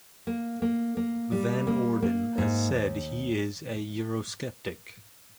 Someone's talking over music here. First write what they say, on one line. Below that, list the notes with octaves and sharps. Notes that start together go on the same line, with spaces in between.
Van Orden has said he is a eurosceptic.
A#3
A#3
A#3
G3
A#3
A#3
G#2
D#2